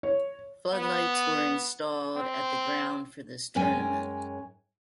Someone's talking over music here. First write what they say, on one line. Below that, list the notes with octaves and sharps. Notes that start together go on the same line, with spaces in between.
Floodlights were installed at the ground for this tournament.
C#5
B3
C4
F#2 G#3 C#4 G5 G#5